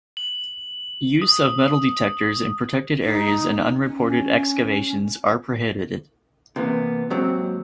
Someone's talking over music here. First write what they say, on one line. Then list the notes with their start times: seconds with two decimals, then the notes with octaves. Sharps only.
Use of metal detectors in protected areas and unreported excavations are prohibited.
0.17 F#7
1.22 D#6
3.02 D#4
3.84 C#4
6.56 C3 E3 A#3 B3
7.10 D#2 G#2 F#3 C4